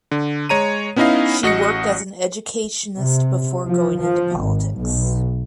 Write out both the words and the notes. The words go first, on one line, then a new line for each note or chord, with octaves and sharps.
She worked as an educationist before going into politics.
D3
G#3 C#5 A#5 D#7
B3 C#4 D#4 E4 D#5 F5
A1 F#4 D#5 A#6 C#7
C3
F3
F3
G#1
B1